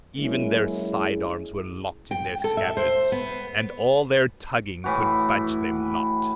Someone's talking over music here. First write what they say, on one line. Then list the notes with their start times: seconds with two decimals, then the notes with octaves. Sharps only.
Even their side arms were locked in their scabbards; and all their tugging could budge them not!
0.18 F#3 G#3 A#3 C#4 E4 G#4
2.11 G5
2.44 A4
2.57 E5
2.77 C5
3.12 B3
4.84 A2 E3 F#4